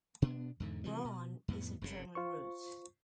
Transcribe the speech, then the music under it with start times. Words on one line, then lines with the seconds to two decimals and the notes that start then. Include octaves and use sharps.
Braun is of German roots.
0.22 B2 B3 D4
0.60 E2 G#2 D3
0.84 C3 E3 F3 G3
1.05 B2
1.48 F2 A2 B3
1.81 F1 F#2 A2 C#3
2.15 F4 C5 C#6